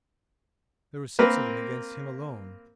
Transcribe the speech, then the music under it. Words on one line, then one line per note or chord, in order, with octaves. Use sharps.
There were six of them against him alone.
A#3 C4 A#4 B4